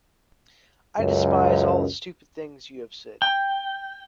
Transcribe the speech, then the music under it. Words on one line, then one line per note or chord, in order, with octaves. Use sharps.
I despise all the stupid things you have said.
C#2 F#2
G5